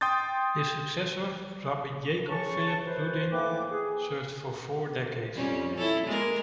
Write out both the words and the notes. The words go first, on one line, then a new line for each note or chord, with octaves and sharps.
His successor, Rabbi Jacob Phillip Rudin, served for four decades.
G5 C6 D#6 G6 A6
C#3 A5 C#6
F#2 B4 C5
A2 E3 A#3 B4 G5 D6
G#4
F2 G3 C#4
E4 A4 C#5
G#3 A#3 A#4